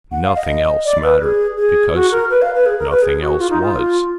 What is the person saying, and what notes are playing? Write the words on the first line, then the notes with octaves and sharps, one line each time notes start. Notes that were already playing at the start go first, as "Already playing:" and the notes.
Nothing else mattered, because nothing else was.
F#5
F5
D#5
D5
B4
G#4
G#4
F#4
A#4
B4
F5
B4
G#4
A#4
B4
G#4
F#4
F4
D#4
F4